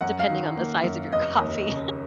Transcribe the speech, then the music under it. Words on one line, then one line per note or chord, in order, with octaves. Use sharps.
depending on the size of your coffee.
F#2 F#5
F5
D#3
A#3
F#2
F1 D#5
D#2
C#3